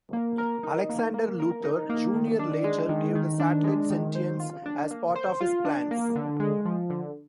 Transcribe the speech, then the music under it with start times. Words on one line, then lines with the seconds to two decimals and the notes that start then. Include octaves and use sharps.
Alexander Luthor, Junior later gave the satellite sentience as part of his plans.
0.13 A#3
0.38 A#4
0.63 D#4
0.89 A#3
1.14 A#3
1.40 A#4
1.64 D#4
1.89 A#3
2.14 D#3
2.39 D4
2.64 G#3
2.89 D#3
3.15 D#3
3.40 D4
3.64 G#3
3.90 D#3
4.15 C5
4.40 F4
4.66 D4
4.91 A#3
5.16 C5
5.41 F4
5.65 D4
5.91 A#3
6.15 D3
6.40 G#3
6.65 F3
6.90 D3